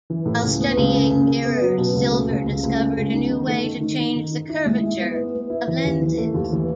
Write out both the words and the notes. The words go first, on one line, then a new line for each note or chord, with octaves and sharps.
While studying mirrors, Silver discovered a new way to change the curvature of lenses.
E3
A2
C#2
B3
C#2
C#3
C#3
C#3
B3
F#3
B2
C#2
A3
C#2
C#2
C#2
A3
C#2
D#4
D#3
A3
D#3
D#3
D#4
D#3
D#4
E4
G#3
E4
B3
B3
B3
E4
E3
D#2
E3
A3
D#2
E3